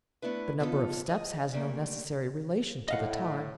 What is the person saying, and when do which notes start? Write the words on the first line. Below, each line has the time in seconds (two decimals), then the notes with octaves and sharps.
The number of steps has no necessary relation to the time.
0.22 A3 B3 D4 E4 B4
0.59 C#3 F3 B3 D#4 F4 A4
1.07 G#4 D#5
1.53 D3 G3 A3 A#3
2.88 A2 D#5 F5 F#5